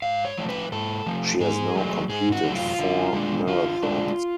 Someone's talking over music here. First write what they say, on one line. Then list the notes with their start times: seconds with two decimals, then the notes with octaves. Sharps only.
She has now completed four marathons.
0.02 G#2 F5
0.25 C#5
0.37 F3 A3
0.49 B4
0.72 G#2 A4
1.06 F3 A3
1.40 G#2 G#4
1.76 F#3 A3
2.09 G#2 G#4
2.32 F#4
2.44 F#3 A3
2.56 F4
2.79 D3
3.13 G#3 D4
3.47 D3 F4
3.83 G#3 D4